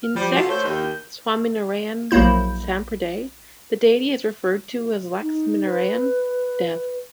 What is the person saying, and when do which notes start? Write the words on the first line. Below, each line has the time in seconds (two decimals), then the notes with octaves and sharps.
In sect Swaminarayan Sampraday, the deity is referred to as "Laxminarayan Dev".
0.03 F6
0.15 F3 G3
0.34 C#3 F4 F#4 A4
0.49 A3 C5 C#5
0.63 D#2 G6
2.11 A#1 F#3 A#3 E4 G6
5.22 D#4
5.66 B4